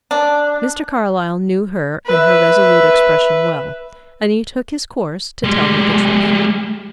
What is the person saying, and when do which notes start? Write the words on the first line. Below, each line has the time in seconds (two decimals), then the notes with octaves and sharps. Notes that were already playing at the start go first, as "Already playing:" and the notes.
Mr. Carlyle knew her and her resolute expression well, and he took his course, to tell her the truth.
0.11 D4
2.06 B4 E5
5.44 G3 G#3